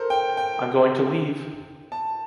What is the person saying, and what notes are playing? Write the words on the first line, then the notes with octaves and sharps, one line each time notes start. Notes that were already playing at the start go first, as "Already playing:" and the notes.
I’m going to leave! ...
Already playing: A4 A#4 C5
G5
G5
A5